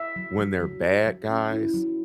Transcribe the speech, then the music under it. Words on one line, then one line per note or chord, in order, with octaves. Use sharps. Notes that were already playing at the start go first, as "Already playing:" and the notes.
when they're bad guys,
Already playing: E5
F#3
F#3
F#3
F#3
F#3
C#4
E4
F#3